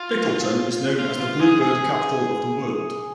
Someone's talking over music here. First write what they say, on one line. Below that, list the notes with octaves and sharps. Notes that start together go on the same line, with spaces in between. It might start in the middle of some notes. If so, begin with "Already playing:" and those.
Bickleton is known as the bluebird capital of the world.
Already playing: F4
F4
F4
G#4
G#4